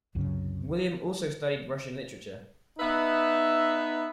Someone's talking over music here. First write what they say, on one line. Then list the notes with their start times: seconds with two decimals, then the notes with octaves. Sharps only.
William also studied Russian literature.
0.15 C2 F#2 C#3
2.79 B3 D#4 B4 E5